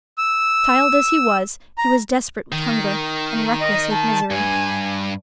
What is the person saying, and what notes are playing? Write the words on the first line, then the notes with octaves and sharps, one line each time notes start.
Child as he was, he was desperate with hunger, and reckless with misery.
E6
A#5
D#3
D#5
A5
G2 G#5